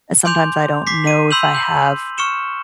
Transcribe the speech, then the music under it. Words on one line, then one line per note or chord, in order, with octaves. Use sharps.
sometimes I don't know if I have
G#5 C6 D6 G6 F7
D6 B6 C7
D#7
B5 C6 E6 G6 F7 F#7
G6 F#7
C#6 F6 C#7 E7 G7